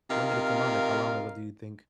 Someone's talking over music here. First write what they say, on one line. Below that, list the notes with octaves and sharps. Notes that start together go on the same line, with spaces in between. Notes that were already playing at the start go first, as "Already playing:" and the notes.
when did it come out, like, how long ago do you think?
C3 D#4 F4 A#4 F5